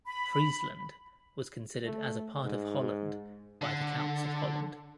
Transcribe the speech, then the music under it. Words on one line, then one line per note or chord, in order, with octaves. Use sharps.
Friesland was considered as a part of Holland by the Counts of Holland.
B5
A3
G#2
D3